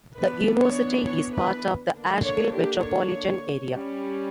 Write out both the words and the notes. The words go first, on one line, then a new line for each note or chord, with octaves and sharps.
The university is part of the Asheville metropolitan area.
E3 B3 D4 B4
C#5
C#5
B4
D3 A#3 D4
C#5
G4
C#5
G3 C#4